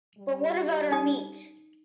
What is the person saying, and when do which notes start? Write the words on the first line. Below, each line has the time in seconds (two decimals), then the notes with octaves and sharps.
But what about our meat?
0.18 G3
0.91 D#4 D#6